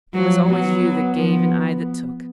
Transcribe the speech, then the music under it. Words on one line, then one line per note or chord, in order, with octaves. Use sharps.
It was always you that gave and I that took.
F3 F#3
F#3 B3
B3
F3 B3